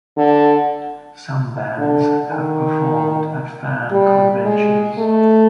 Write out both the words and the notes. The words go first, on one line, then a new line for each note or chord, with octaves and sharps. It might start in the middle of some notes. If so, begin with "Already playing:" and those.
Some bands have performed at fan conventions.
D3
D3
D#3
G3
G#3
A3